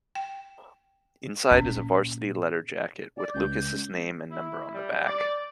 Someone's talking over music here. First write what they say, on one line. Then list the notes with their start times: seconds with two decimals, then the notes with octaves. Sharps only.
Inside is a varsity letter jacket, with Lucas' name and number on the back.
0.15 G5
1.51 A#2 C#4
3.18 D5
3.34 C#2 G6
4.31 E4
4.74 G3
5.08 D5